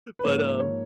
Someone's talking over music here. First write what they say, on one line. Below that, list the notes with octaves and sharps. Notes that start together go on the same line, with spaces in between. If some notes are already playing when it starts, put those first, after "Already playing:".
But, um
B4
G#2 F3 A#3 C#5
C#5